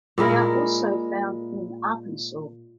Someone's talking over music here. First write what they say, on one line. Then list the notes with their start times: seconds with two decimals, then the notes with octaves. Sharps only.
They are also found in Arkansas.
0.18 A#2 G#3 E4 A#4